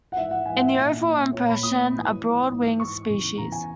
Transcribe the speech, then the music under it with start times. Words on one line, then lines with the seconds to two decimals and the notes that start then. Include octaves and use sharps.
In the overall impression a broad-winged species.
0.12 F#5
0.16 G#2 E3 E5
0.31 F#5
0.46 G#2 E3 G#5
0.56 F#5
0.65 E5
0.75 A#2
1.04 A#2
1.33 A#2 C#5
1.48 B5
1.63 A#2 D#6
1.92 G#2 E3
2.20 G#2 E3
2.50 G#2 E3
2.79 G#2 E3 C#6
3.09 E2 C#3 E3
3.37 E2 C#3 E3 A#5
3.52 G#5